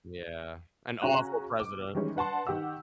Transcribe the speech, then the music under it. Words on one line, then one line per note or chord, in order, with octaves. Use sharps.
Yeah, an awful president.
C#3 C#4 F#4 G#5 A#5 F#6
D6
D#3 E3 G3 G#3 C#4
D4 B4 F#5 A5 C6
D#3 G4 F#5 E6